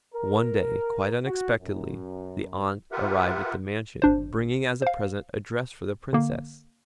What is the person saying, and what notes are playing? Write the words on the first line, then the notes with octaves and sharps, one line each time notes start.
One day, quite unexpectedly, the aunt arrived at the mansion, bringing as a present a dress for the Princess.
A#4
F#4
F#2
F4 G4 A#4 B4 E5 F#5
G#1 D4 C5
C5 F5
D3 A#3